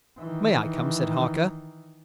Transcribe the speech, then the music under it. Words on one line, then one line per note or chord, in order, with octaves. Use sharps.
"May I come?" said Harker.
D#3 E3